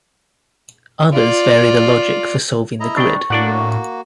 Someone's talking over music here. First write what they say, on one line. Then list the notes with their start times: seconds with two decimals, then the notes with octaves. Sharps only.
Others vary the logic for solving the grid.
1.13 F4 D5
2.80 E4 D#5 A#5
2.96 D4 G5 C#6
3.30 A2 A#3 D4 F#4 D5 F#5